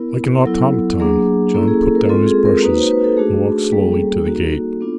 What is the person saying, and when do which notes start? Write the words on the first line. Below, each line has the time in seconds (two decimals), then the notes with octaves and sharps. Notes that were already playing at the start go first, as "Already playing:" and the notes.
Like an automaton John put down his brushes, and walked slowly to the gate.
Already playing: B3 E4 A#4
0.45 F#3 B3 E4 A4
1.00 F#3 A#3 D4 G#4
1.54 A#3 C#4 E4 A4
1.68 G#4
1.82 A4
1.95 A#4
2.09 G#3 C4 F4 A4
2.26 G#4
2.45 A#4
2.63 A#3 D#4 F#4 B4
2.77 C5
2.91 B4
3.04 A4
3.17 A3 D4 F#4 G#4
3.66 G#4
3.72 G3 A#3 C#4 A4
4.27 A#3 D#4 F#4
4.80 B3 D4 F4